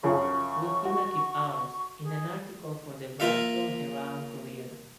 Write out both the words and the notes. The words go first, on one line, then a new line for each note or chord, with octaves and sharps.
We feel like it ours, in an article for the Bristol Herald Courier.
F#2 C#3 F3 C#6
F#4
G#4
A#3 F4 E5 F5